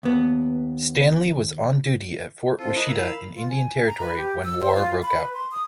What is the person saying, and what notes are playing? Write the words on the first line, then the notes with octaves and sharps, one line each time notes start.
Stanley was on duty at Fort Washita in Indian Territory when war broke out.
D#2 B3
C4 E4 F4 A4 C5
E4 A#4 D#5 A#5 F#6
F5 B5 E6
F4
G#5
A#5
B4
G4
E6
C5
F4
B5
B4
C6
D#6